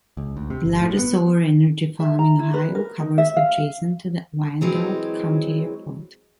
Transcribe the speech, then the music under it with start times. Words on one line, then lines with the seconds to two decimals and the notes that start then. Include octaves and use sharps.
The largest solar energy farm in Ohio covers adjacent to the Wyandot County Airport.
0.17 C#2
0.37 D2
0.50 C3
0.66 G1
0.80 A2
0.99 B3
2.00 E5
2.19 A#5
2.39 E4
2.54 B4
2.75 A#4
3.00 D#4
3.18 E5
3.37 F5
4.61 E3 F#3 G#3 C4